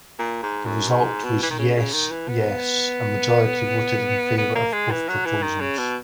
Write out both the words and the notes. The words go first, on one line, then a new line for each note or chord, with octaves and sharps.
The result was 'Yes-Yes': a majority voted in favour of both proposals.
A#2
G#2
F#2
G#2
B2
E3
D#3
C#3
C#3
D#3
E3
B3
B3
A#3
G#3
E3
F#3
E3
D#3
C#3
B2